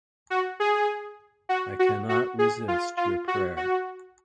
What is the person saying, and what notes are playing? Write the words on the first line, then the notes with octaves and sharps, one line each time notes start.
I cannot resist your prayer.
F#4
G#4
F#4
F#4
F#4
G#4
F4
F4
F#4
F#4